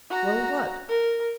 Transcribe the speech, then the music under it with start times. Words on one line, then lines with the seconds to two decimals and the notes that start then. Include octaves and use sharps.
"Well, what?"
0.10 F#4 A#5
0.88 A#4